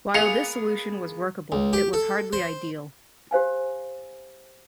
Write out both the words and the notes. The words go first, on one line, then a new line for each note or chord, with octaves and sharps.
While this solution was workable, it was hardly ideal.
G#3 A#3 B3 G#4 F5 G#5 C#7 F7
C#2
G4
A4
C5
G4 C5 F5 G#5